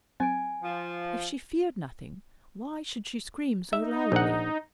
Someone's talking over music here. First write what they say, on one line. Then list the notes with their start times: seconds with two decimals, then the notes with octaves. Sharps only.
If she feared nothing, why should she scream so loudly?
0.20 F#3 C4 G#5 A6 D7
0.63 F3
3.73 D#4 E5
4.12 A#1 F#5